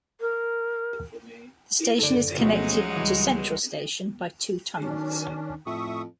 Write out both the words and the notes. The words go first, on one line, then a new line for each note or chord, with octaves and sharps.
The station is connected to Central Station by two tunnels.
A#4
F#1 A2 D3 A4 D5
D2 B2 F3 F#3 G#3 A3 C#4 D#4
C#2 E3 G3
B1 D#3 C#4 D4
F2 A2 E5 C#6 D#6